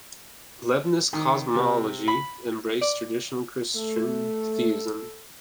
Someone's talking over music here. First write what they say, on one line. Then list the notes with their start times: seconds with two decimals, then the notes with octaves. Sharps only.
Leibniz's cosmology embraced traditional Christian Theism.
1.13 D#3
1.55 C3
2.08 B5
2.81 D5
3.76 A3 A4